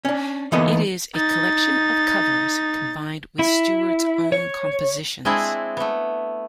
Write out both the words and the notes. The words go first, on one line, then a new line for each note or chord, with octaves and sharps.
It is a collection of covers combined with Stewart's own compositions.
C#4 D4
E3 A#3 B3 D#4 A4 D#5
D#4 A6
E4
C#5
G#3 C4 D4 E4 G#4
A3 B3